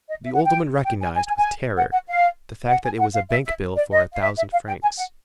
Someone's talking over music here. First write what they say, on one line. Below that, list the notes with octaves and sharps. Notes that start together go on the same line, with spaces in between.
The old woman recognized, with terror, the fact that it was a bank-bill for a thousand francs.
D#5
E5
F#5
G5
G5
G#5
G#5
G#5
G#5
F#5
F#5
F5
F#5
G#5
F#5
F5
E5
E5
D5
D#5
F5
E5
E5
F5
G5
G#5
F#5